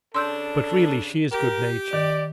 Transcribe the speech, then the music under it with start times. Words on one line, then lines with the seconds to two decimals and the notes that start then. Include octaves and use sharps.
But really she is good-natured.
0.15 C#3 D4 A4 C6 E6 G6
1.32 G4 A#4
1.93 D#3 D5